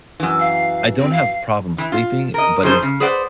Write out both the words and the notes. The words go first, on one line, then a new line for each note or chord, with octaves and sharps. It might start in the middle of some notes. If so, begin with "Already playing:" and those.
I don't have problem sleeping, but if
F#2 E3
F5
C4
F5
E3
F4
A#4 D#5
B2 F3 D#4 G#4 B4 C5
C#3
G#4 B4 C5 D5 F#5